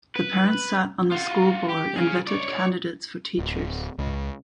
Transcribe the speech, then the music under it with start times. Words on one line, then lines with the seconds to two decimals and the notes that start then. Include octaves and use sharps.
The parents sat on the school board and vetted candidates for teachers.
0.16 B4
1.12 F4 F#4
1.69 G4
1.96 G#4 F5
2.27 C#5 D5
3.38 D1
3.99 C#2